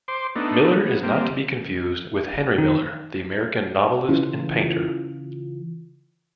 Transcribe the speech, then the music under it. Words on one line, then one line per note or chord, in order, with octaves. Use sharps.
Miller is not to be confused with Henry Miller, the American novelist and painter.
C5 C6 D6
A3 B3 D4 D#4
B3
G3 A#3 C4
D#3 D#4
C#3 E3 F4